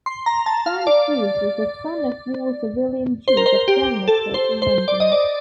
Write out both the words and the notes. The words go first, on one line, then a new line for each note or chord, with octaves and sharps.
Frank Druce was the son of Walter William Druce of Denmark Hill, London.
C6
A#5
A5
F5
D5
C5
A#4
C5
G4
A4
C5
C5
D5
D#5
D5